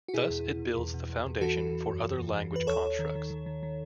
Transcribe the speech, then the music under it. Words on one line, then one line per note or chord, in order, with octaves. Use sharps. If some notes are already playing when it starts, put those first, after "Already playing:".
Thus it builds the foundation for other language constructs.
F#4
B2 E4 G#4
E2
B2
E2
E2
B2
E2
E2
E3 F#4 A4
E3
E3
F#2
F#2
E3
E3
E3 B4
D#2 A4 C#5
D#2
D#3
D#3
D#3
D#3
D#3